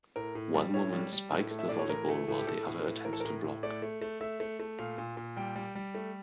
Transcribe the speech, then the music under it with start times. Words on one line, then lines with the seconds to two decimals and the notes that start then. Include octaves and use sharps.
One woman spikes the volleyball while the other attempts to block.
0.16 A2 A#4
0.35 A2
0.54 G3
0.74 A2 C#5
0.93 G3
1.13 G3
1.31 A2
1.51 A3
1.59 E5
1.69 A2 D5
1.79 C#5
1.89 E3 A#4
2.09 A3
2.28 A2
2.39 G4
2.47 A2 A4
2.67 A2
2.86 A2
3.05 E3 A#4
3.13 A4
3.20 A2 A#4
3.44 A2
3.63 A3 D5
3.82 A3
4.02 A3
4.21 A3 E5
4.40 A3
4.60 A3
4.79 A#2 F5
4.98 A#2
5.17 A#2
5.36 G3 G5
5.56 G3
5.75 G3
5.95 A3